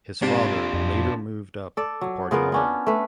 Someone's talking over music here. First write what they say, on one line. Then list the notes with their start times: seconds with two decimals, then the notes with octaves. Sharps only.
His father later moved up the party line.
0.22 G#2 C3 D4 F4
0.73 F2
1.77 A4 D5
2.01 F#3
2.31 C#3 B3 F4 A#4
2.52 B3 C#4 D4
2.87 A3 B4